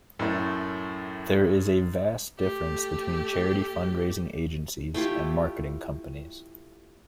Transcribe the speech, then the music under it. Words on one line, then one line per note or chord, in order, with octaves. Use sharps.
There is a vast difference between charity fundraising agencies and marketing companies.
F#2 A2 A3
A3 G4
A3 E4 F4 G4